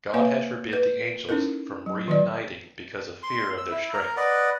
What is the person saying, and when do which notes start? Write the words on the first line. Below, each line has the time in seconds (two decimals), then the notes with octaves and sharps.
God had forbid the angels from reuniting because of fear of their strength.
0.14 A#3 B4 C#5 F5 G#5
0.73 B4
1.29 C#4 D#4 E4 A4 A#4
1.86 F#3
2.08 D#3 F#3 D5
3.23 C6
3.57 E6
3.71 E4
3.93 A#4 A#5
4.17 B4 D5 D#5 F#5